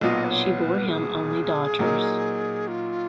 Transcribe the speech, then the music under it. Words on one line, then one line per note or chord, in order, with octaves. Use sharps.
She bore him only daughters.
B1 A#2 F#3 B3 F4 D#5
B4
C#5
B4
G#4
A#2 F#3 A#3 D#4 A#4
F4